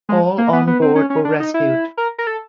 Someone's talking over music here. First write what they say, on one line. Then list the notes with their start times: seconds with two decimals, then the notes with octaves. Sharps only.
All on board were rescued.
0.09 G#3
0.38 A#3
0.53 B3
0.67 B3
0.82 C4
0.95 C#4
1.10 C#4
1.25 D4
1.40 D#4
1.54 E4
1.97 A#4
2.18 A#4
2.27 A4